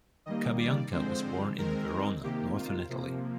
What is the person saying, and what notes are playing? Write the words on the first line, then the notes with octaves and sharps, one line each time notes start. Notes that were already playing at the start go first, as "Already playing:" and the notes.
Cabianca was born in Verona, northern Italy.
D#3 G3 A#3 D#5
D5
D3 F3 G#3 C4 C5
D#3 G#3 C4 A#4
C3 D#3 A#3 G4
F4
C3 F3 A#3